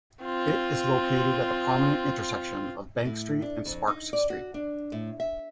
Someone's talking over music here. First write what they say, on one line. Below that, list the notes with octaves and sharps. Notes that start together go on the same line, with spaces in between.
It is located at the prominent intersection of Bank Street and Sparks Street.
C4 F4
A2
D4
F2
D#4
D5
F#4
D4
A2
E5